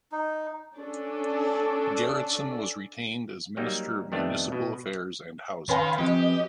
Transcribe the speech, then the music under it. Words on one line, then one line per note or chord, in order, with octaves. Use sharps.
Gerretsen was retained as Minister of Municipal Affairs and Housing.
D#4
C#4 D4 A4 D5
F#3 G3 A#3 D#4
F2 D#3 G3 A3 B3 D4
B2
D#3 C#4 B4 F5 G5 B5 C6
F3 C4 G4 D#5